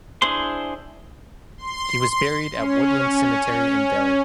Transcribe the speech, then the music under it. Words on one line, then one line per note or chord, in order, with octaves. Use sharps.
He was buried at Woodland Cemetery in Delhi.
D4 E4 G#4 C5 C6
C6
C#4